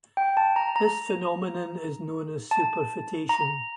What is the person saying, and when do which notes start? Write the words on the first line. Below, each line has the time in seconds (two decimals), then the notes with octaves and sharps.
This phenomenon is known as superfetation.
0.17 G5
0.37 A5
0.56 A#5
0.76 A#5
2.51 A5
3.29 A#5